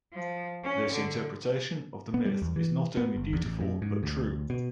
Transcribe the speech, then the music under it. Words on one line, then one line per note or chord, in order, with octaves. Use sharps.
This interpretation of the myth is not only beautiful but true.
F3
C#4
D3
B3
G3
E2
E3
B3
G1
E2
A1
F#2
G#2
D2
B2